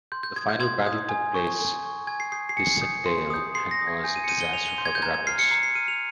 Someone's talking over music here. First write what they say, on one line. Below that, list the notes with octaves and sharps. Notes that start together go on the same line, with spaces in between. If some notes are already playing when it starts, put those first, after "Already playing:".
The final battle took place at "Dussindale", and was a disaster for the rebels.
C6 G6
G6
D#6 G6 G#6
G6
C6 G#6
D#6 G6
G#5
C#6 G6
G#5
C#6 G6
G#5 G#6
C7
D#6 G6 C7
C7
G#5 C#7
D#6 G6
C6
D#6 G6
C6 C7
A#6
D#6 G6
G#6
G#5 G6
D#7
C#7
C6 G6 D#7
G7
G#5 F7
G7
F7
C6 G6
G#6
G6
A#5 G#6
G#6
F6 C7
C#7
A#5 C7
C7
F6 D#7
F7